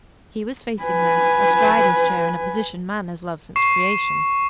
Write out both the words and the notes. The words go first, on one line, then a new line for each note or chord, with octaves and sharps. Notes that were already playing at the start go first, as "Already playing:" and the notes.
He was facing her--astride his chair, in a position man has loved since creation.
B4 G#5
C#6 C7 E7